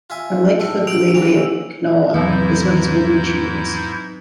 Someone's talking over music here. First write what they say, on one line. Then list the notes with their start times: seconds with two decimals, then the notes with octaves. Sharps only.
Unlike the Gumebri of Gnawa, this one has wooden tuners.
0.10 F4 E5 G#5
0.60 A2 A4
0.87 E6 D7 F7
1.14 C3 E3 F#3 F7
2.14 E2 G#2 C3 F#3 C4 E4 B4 G6